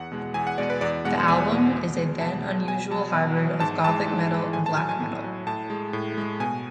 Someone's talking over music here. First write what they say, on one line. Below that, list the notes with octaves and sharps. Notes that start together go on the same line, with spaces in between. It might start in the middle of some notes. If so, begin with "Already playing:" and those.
The album is a then-unusual hybrid of gothic metal and black metal.
Already playing: E2 F#5
B2 G#3
E2 G#5
F#5
B2 G#3 D5
B4
E2 D5
B2 G#3 F#5
E2 G#5
B2 G#3
B2
G#3
B2 A5
G#3
B2 G#5
F#3 A5
B2
F#3
G#2 A5
E3 G#3 A5
G#2
E3 G#3
A2 G#5
A5
F#3 G#5
G#5
A2
F#3
A2 A5
G#3
A2
G#3
B2 G#5